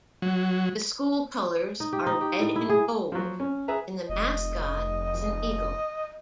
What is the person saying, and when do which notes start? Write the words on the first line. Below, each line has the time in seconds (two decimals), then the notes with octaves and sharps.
The school colours are red and gold, and the mascot is an eagle.
0.22 F#3
1.80 D#4
1.93 G4
2.06 D#4
2.21 G4
2.40 A2
2.56 E4
2.69 G#4
3.12 F3 F#3
3.40 C#4
3.68 G#4 B4 E5 A#5
4.09 F1 D#5